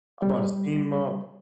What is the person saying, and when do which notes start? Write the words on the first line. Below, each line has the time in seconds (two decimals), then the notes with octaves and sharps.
I bought a steam mop.
0.22 G3